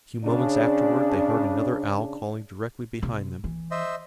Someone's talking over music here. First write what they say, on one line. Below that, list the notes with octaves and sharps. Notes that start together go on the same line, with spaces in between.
A few moments afterward they heard another owl calling directly behind them.
C#3 D4
C3
E3
C5 D#5 E5